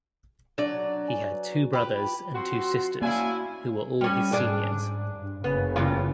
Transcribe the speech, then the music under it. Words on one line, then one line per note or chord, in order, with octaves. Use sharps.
He had two brothers and two sisters who were all his seniors.
F#3 D4 D5
G#5
B4
F4 G4 B4
F3 C4 F#4 C6
A#3 C#4 D4 E4 F#4 F5 G#5
G3 C#4
G#2 D4 G#4 D5
G2
F#1 C#3 B3
E2 G2 F4